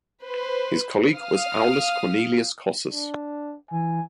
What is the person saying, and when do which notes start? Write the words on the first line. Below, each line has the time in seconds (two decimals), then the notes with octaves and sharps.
His colleague was Aulus Cornelius Cossus.
0.23 B4 C5
1.13 F5 D#6 F6
2.90 D4
3.71 E3 G#5